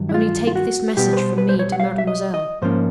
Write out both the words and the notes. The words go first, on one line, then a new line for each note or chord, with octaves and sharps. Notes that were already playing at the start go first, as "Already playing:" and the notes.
Only take this message from me to mademoiselle.
Already playing: G2 D#3 F#3
E4
F4
F4
F#4
B2 G3 B3 G4
B4
C5
B4
C5
C#5
F#5
F5
E5
D#5
D#5
G#2 F3 A#3 C#4 C5